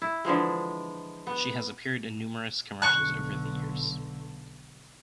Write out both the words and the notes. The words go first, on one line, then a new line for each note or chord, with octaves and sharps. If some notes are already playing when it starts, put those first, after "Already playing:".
She has appeared in numerous commercials over the years.
E4
D3 E3 F3 G#3
B3
B1 D3 C#6 F#6